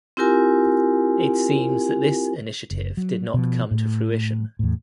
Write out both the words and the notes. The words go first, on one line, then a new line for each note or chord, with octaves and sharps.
It seems that this initiative did not come to fruition.
C4 E4 F4 G4 A#4 G#5
F#1
F#3
B2 F3
A2
E2 A2